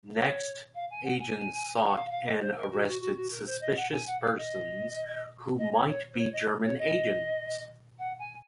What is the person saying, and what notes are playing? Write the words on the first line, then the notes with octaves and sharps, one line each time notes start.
Next, agents sought and arrested "suspicious persons" who might be German agents.
C#5
F5
G#5
F#5
G#5
F#5
F5
F5
D#5
C5
A#4
F#4
F#4
F#4
F#4
A#4
C5
D#5
F#5
G#5
F#5
F5
D#5
D#5
C#5
C#5
C5
C#5
D#5
C#5
D#5
F#5
G#5